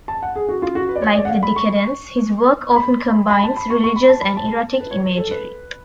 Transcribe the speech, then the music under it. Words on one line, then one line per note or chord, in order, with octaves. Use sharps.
Like the Decadents, his work often combines religious and erotic imagery.
A5
F#5
G#4
F#4
F4
F#4
B4
D5
C#5
D5
F#5
F5
B5
C#6
B5
B5
A5
B5
C#6
C#6
B5
A5
B5
A5
B4
C#5
C#5
A4
B4